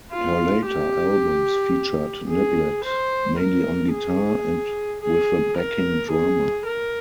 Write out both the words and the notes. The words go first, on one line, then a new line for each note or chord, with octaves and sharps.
Her later albums featured Niblett mainly on guitar, and with a backing drummer.
F4
G4
G#4
C5
A#4
G#4
G#4
A#4
G#4
A#4